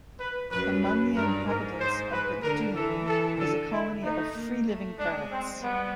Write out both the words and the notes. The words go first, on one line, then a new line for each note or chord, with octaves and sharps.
Among the inhabitants of the dune is a colony of free-living parrots.
B4
F#2 B4
B4
G2 A#4
G#2 A#4
C5
B4
D3 A#4
E3 A4
A4
D3 A4
E4
A3 D#4
A#3
A3
G#3 D4
C4
G3 B3